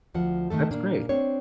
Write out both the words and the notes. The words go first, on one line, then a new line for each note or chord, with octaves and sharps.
That's great.
D2 F3 F#5
D#3 F3 A3 A4
A#2 A#3 D4
C4 D4 C#5